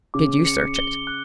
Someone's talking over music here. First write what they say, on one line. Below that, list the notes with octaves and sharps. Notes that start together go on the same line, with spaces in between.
"Did you search it?"
C#3 D6
C#7
G7
F#6